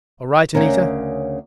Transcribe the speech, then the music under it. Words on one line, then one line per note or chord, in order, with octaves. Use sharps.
"All right, Anita?"
D2 C#3 C#4 A#4